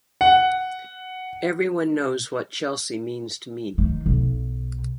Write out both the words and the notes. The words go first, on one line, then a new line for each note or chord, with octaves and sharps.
Everyone knows what Chelsea means to me.
F#5
D#3
B1